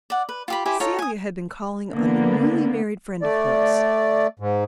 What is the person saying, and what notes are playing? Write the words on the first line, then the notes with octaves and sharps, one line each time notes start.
Celia had been calling on a newly married friend of hers.
D5 F#5
B4
F4 G4 B5
E4 G4 C5 G#5
D#4 F4 A4 C#5
G#5 D#6
D3 A#3 B3
A3 D5
G#2